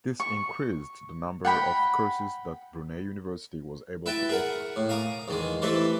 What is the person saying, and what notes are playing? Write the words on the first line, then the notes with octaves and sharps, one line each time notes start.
This increased the number of courses that Brunel University was able to offer.
C#6
F#5 G5 B5
E4 B4 E5 G5 A5
G#4 A#4 F#5
A2
F5 G#5 A#5 D6 D#6
E2 D#3 G#3
E3 G3 A3 C4 A4 B4